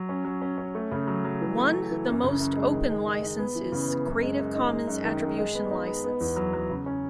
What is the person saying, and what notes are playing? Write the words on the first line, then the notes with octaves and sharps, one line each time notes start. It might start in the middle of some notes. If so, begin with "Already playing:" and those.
One the most open licence is "Creative Commons Attribution" License.
Already playing: F#3
C#4
F#3
C#4
C#4
A3
C#3
F#3
F#3
E3
A3
A3
E3
F#2
C#3
F#2
G#3
D#3
G#3
D#4
D#4
B3
E3
C#3
B3
F#2
G#3
F#2
D#4
G#3
F#2
D#3
F#2
G#3
B3
D#4
B3
B3
E2
F#3
F#3
C#3
C#4